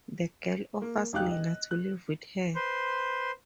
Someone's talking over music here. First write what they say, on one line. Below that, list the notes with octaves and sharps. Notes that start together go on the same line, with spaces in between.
The girl offers Lena to live with her.
A#3
E1 D#4 G4 F5 G5 F#6
D#5
F#6
B4 C5 C6